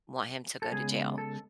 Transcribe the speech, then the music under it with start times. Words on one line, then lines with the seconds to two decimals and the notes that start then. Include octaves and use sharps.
want him to go to jail,
0.62 A4
0.72 C#3 G#3 B3 G#4
1.18 A4